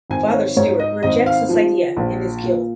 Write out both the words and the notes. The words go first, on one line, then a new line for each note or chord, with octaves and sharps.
Father Stewart rejects this idea and is killed.
G#1 G#5
C#5
G#2 C#5
D#5
G#1 D#5
F5
F3
A#1
A#2